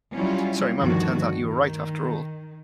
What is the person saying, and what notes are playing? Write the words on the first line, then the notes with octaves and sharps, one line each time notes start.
Sorry mum, it turns out you were right after all.
F#3 G3 C#4 E4 F4
D2 G2 D#3 F3 F#4
D#3